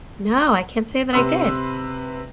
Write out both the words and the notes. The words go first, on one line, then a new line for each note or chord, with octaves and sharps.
No, I can't say that I did.
C3 B4 C6 E6